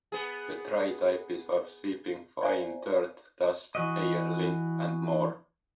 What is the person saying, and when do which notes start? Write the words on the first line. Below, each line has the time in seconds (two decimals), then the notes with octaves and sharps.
The dry type is for sweeping fine dirt, dust, hair, lint, and more.
0.12 B3 G#4
2.41 C5 D5 E5 F5 G#5 A#5
3.75 E3 F#4 D#5